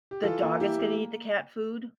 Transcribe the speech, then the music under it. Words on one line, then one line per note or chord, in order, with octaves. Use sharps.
The dog is gonna eat the cat food?
G4
E3 F4 A4
A#3
E3 E4 G4
A#3